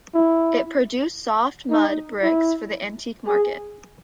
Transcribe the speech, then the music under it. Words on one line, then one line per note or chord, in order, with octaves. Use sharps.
It produced soft-mud bricks for the antique market.
E4
D#4
E4
G#4